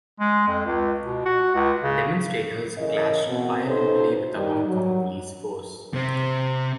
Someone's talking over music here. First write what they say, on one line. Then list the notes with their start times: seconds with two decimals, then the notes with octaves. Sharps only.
Demonstrators clashed violently with the Hong Kong Police Force.
0.20 G#3
0.48 F2
0.66 C#2
1.04 B2
1.26 F#4
1.55 C#2
1.83 C#3
2.76 C#3 E3 E4 A#4 D#5
3.27 B2 C4
3.65 C#3 C#4 D#4 A4 B4 C5
4.34 D#3 G3 D#4
4.67 F#3
5.94 C3 C4